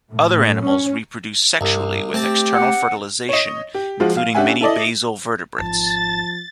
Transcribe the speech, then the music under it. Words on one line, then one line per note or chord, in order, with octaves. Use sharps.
Other animals reproduce sexually with external fertilization, including many basal vertebrates.
A2
C#4
C2 G2
A3 C4 G4 A5
F#5
C#5 D#5
G4
F3 G#3 F4 F#4
F5
C#4 D4 G4 E5 F#5 G#5
E4 A4 D5 D#5
G#1 F3 D#4 A5 A6